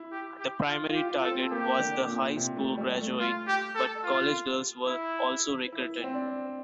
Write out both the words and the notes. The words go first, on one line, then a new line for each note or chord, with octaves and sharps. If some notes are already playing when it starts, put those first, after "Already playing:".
The primary target was the high school graduate but college girls were also recruited.
Already playing: E4
G4
G4
F4
F4
G4
F4
A4
C4
A#3 G4
D3
A#2
C3
A3
G3
A3
F4
G4
A4
F4
E4
E4
C4
D4